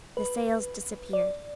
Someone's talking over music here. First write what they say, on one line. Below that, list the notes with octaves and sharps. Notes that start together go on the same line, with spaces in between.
The sails disappeared.
B4
D5